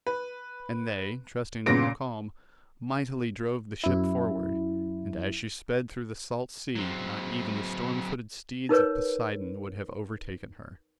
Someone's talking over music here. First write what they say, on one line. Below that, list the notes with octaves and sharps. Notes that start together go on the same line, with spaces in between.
And they, trusting in the calm, mightily drove the ship forward; and as she sped through the salt sea, not even the storm-footed steeds of Poseidon would have overtaken her.
B4
A#2 C#3 B3 A#6 D7
F#2 E4
F#3 C4
D#4 A#4 B4 C#5